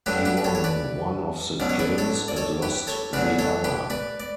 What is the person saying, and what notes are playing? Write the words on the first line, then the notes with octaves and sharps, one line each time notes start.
He won one of the games and lost the other.
G2 D3 F#3 G4 B4
G4 B4
B4
A4 C#5
C#5
B4 D5
C#2 B2 F#3 D5
C#5
B4 D5
A4 C#5
D5
A4 C#5
G4 B4
A4 C#5
E2 D3 F#3 B4 D5
A4 C#5
G4 B4
B4 D5
D5